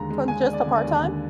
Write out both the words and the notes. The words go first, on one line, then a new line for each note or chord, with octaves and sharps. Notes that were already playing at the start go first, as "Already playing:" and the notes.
From just a part-time? uh
Already playing: D#2 D3 G#3 A#5
G#3
G#3 G#5
D4
D5
D3
D5
D#2
D3